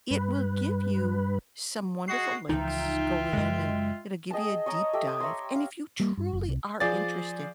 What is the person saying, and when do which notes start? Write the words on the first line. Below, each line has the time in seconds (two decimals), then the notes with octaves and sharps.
It will give you some wonderful links, go in and it'll give you a deep dive, and if you truly are interested,
0.11 G2 B4
2.08 G#3 F#4 C7
2.49 C#2 E3 F3 D#4 F4 E5 G5
3.33 F#2 C#3 G#3
4.30 G#4 D#5 G5 A5
4.66 C#5 D#5 A5 A#5
4.93 G4 A4 E5
5.07 D#6
5.20 C#5 E5 A#5 C6
5.56 F5
6.00 G3 A#3
6.17 G2
6.33 F#1
6.48 C2
6.80 F3 G#4 D5 A6